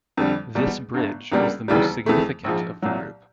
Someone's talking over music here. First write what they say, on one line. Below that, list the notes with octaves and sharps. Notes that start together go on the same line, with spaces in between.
This bridge was the most significant of the group.
F2 D3 G3
E2 B2 G3
G1 G2 D3
C#2 B2 G3 A#3 D4
E1 D#2 C#3 E3 G3
F2 C#3 E3 A3
A#1 G#2 F3
C2 A#2 F#3